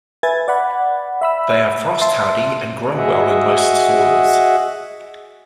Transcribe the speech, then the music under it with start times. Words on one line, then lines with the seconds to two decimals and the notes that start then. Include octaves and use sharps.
They are frost hardy and grow well in most soils.
0.23 B4 E5 G#5 G#6 A6
0.48 D5 F#5 B5
1.21 E5 B5 E6
2.01 E5 A5 C6
2.95 F#4 G#4 D#5 E5 F#5